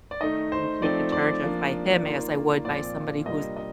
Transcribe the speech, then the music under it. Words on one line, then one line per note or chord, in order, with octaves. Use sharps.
being taken charge of by him, as I would by somebody who's,
D5
D#3 A3 D#4 D#5
C5
F3 A3 C4 D#4 D5
D5
F3 A#3 D4
D#3 A#3 F4
A#2 F3 C4 F4 D5
C3 G3 A#3 D4 F4 D#5
D#5